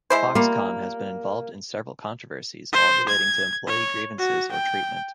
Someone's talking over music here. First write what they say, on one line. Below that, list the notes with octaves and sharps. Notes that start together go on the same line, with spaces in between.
Foxconn has been involved in several controversies all relating to employee grievances or treatment.
G#3 E4 C5
G3 A#3 F4
C5
G#6
C#5
F#4
G5